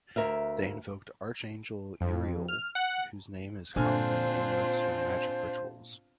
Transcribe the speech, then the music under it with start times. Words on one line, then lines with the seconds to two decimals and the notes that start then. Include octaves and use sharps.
They invoked Archangel Uriel, whose name is common in amulets and magic rituals.
0.16 D2 A#4 E5 F5
2.01 F2
2.48 F6
2.75 F#5
3.76 A#2 D3 C4 D4 F4 C5 G#5 F6